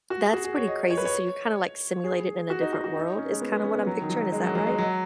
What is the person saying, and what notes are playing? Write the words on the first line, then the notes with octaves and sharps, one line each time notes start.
that's pretty crazy. So you're kinda, like, simulated in a different world is kinda what I'm picturing, is that right?
F#4
G#4
F#4
G#4
C#5
D#5
C#5
B4
C#5
G#4
F#4
D#4
F#4
F#4
D#4
C#4
G#3
B3
B3
C#4
B3
F#3
D#3
F#3
G#3
F#3
F#3
G#3
F#3